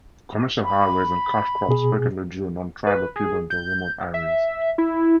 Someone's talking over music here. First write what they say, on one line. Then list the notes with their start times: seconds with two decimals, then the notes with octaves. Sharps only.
Commercial highways and cash crops frequently drew non-tribal people into remote areas.
0.64 B5
1.68 B2 G#4
2.87 B4
3.16 G#4
3.50 G6
4.14 E5
4.78 E4